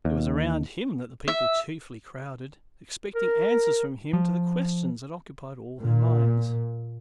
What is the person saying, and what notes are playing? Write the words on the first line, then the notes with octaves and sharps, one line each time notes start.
It was around him that the people chiefly crowded, expecting answers from him to the questions that occupied all their minds.
D#2
E5
A#4
F3
A#2